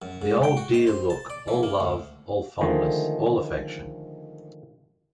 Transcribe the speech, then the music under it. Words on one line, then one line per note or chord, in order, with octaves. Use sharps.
The old dear look, all love, all fondness, all affection.
F#2
G#2
G5
F#4
D#5
C5
A5
D5
E3
A#3
D2
D3 D#3 F3 G#3 A3